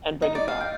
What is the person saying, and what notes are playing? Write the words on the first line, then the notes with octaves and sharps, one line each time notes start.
and bring it back.
D#4
D5
F5
G5